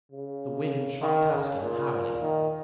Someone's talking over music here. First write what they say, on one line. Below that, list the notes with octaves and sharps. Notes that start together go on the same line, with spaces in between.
The wind shot past him howling.
C#3
D#3
C#3
A#2
D#3